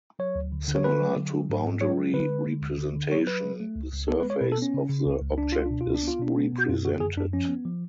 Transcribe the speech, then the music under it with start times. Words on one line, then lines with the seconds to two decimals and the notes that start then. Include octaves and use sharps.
Similar to boundary representation, the surface of the object is represented.
0.19 F#3 C#5
0.35 D2
0.52 D3
0.68 D3
0.75 C#5
0.84 A3 B4
1.01 F#3
1.16 D3
1.33 F#3
1.50 G#2
1.65 G#2
1.81 F#3 C#5
1.97 F#3
2.14 D3 B4
2.30 G#3
2.47 D3
2.62 D2
2.78 D3
2.95 D3
3.12 F#3 C#5
3.27 F#3 B4
3.44 F#3
3.60 A3
3.76 C#2
3.93 C#2
4.08 B3 A4
4.20 B4
4.25 G#3 C#5
4.41 B2 B4
4.52 A4
4.58 B3 C#4
4.74 C#3
4.89 C#3
5.06 C#2
5.22 C#2
5.38 C#2 D4
5.52 C#2 F4
5.66 B2 D4
5.81 F4
5.87 C#2
5.94 D4
6.03 B3 F4
6.20 B2 D4
6.36 B3
6.52 B2
6.58 F#4
6.68 F#2 F4
6.85 D3 F#4
7.00 F#2 G#4
7.16 F#2 D4
7.33 F3 C#4
7.49 B3
7.65 F3